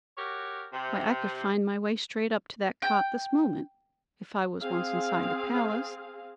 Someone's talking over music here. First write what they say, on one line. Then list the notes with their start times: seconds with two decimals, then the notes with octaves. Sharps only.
Why, I could find my way straight up to that cot this moment, if I was once inside the palace.'
0.18 F#4 G4 A#4 C#5
0.73 C3
2.82 G5
4.61 C4 G#4 F5